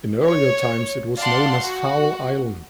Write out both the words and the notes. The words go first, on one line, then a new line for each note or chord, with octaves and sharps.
In earlier times it was known as "Fowle Island".
C#5
D5 F5 F#5 A5 C6
F#4